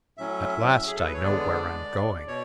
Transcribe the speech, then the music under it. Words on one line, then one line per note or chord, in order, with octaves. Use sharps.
At last I know where I'm going.
A2 F#3 C#4 E5
G#4
A4
B4
C#5
D3 G#3 B3 D4 D5
B2 C#5